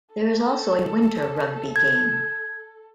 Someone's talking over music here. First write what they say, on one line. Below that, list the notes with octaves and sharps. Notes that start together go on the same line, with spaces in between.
There is also a winter rugby game.
A4
G#6